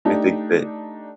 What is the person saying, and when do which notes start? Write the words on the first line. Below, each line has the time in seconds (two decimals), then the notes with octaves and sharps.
I think that
0.05 A3 D4 D#4 G4